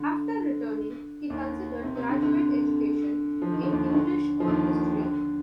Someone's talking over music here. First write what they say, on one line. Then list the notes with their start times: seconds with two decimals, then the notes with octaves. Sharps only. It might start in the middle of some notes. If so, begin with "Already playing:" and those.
After returning, he considered graduate education in English or History.
Already playing: D3
1.30 D#2 D#3
1.84 C3
1.96 C3
2.09 D3
2.22 D3
3.42 F3
3.52 D#3
3.63 D3
3.72 D#2 D#3
3.90 D#3
3.94 D3
4.40 F3
4.47 D#2 D#3
5.00 D3